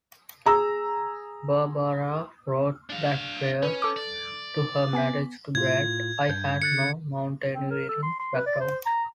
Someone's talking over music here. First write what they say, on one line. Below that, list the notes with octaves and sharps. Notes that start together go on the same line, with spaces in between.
Barbara wrote that prior to her marriage to Brad, "I had no mountaineering background".
G#4 A#5 E6
D4 F5
C#4 B4
A4 D6
D5
B3 G#5 B6
A2 F4 G#6
G2 G6
D3 F#6 A6 C#7
C4
A#4
A4
C6
C6
B4
D5
C5
A#5